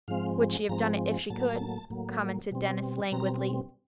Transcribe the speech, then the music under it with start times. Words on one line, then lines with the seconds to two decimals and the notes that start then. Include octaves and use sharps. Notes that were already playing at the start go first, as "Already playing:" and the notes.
"Would she have done it if she could?" commented Denis, languidly.
0.08 G#2 F3 G#3 C4 F5
0.69 G#2 F3 G#3 C4 A#5
1.30 A2 F#3 A#3 A5
1.90 A2 F#3 A#3
2.51 B2 G3 C4
3.12 B2 G3 C4 A#5